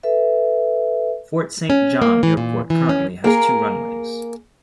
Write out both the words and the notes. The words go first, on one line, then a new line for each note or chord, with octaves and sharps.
Fort Saint John Airport currently has two runways.
A4 B4 E5
C#4
A#3
E3
A#2
E3
C#4
A#3 G#4 A#4